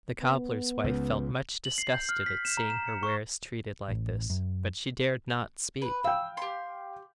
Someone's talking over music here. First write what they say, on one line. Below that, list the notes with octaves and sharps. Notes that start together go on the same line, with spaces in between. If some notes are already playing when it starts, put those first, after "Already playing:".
The cobbler's wife felt much disgusted at seeing her wares treated like this, but she dared not speak.
B3
C#2
F#7
C7
G6
F6
B6
E7
A#5
E7
C#7
C#6
A1
F#2
B4
F5 G5 E6
G4 C6